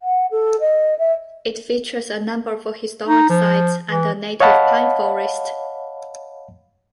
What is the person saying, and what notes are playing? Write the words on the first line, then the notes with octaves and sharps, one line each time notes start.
It features a number of historic sites and a native pine forest.
F#5
A4
D#5
E5
D#4
F3
E3
C#5 D#5 F5 F#5 A5 B5